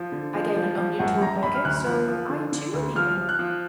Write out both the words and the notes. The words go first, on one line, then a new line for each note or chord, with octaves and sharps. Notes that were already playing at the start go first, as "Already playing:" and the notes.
I gave an onion to a beggar, so I, too, am here.
Already playing: F3
D3
F3
F3
F3
F#2 F#5
F#2 A#5
F#2 B5
F6
D2 F#6
F3
F3
D3
D3
D2
F3 F6
F3
F#6
F3